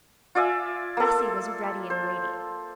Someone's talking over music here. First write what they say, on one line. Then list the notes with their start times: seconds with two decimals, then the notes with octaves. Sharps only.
Bessy was ready and waiting.
0.35 F4 D5 E5 G#5
0.97 A#3 A4
1.90 C5